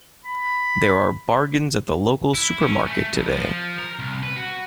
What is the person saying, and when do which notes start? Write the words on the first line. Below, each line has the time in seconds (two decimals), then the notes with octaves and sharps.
There are bargains at the local supermarket today.
0.25 B5
2.34 E4
2.62 C#4
2.86 A3
3.13 F2
3.28 F3
3.79 A#4
3.99 C2
4.23 B4
4.36 F#4